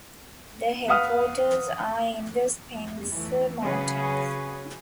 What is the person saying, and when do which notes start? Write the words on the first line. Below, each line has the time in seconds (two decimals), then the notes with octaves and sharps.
The headwaters are in the Spenser Mountains.
0.88 B4 F5 F#5 D#6 F6
3.11 E3 A3
3.61 C#3 F#3 C#4 F#4 G#4 B4